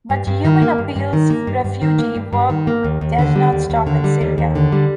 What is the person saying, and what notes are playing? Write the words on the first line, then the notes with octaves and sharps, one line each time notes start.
But Human Appeal's refugee work does not stop in Syria.
G2
G2
D#3
A#3
G2
G2
D#3
A#3
G2
G2
D#3
A#3
G2
G2
D#3
A#3
D#2
D#2
D3
G3
D#2
D#2
D3
G3
D#2
D#2
D3
G3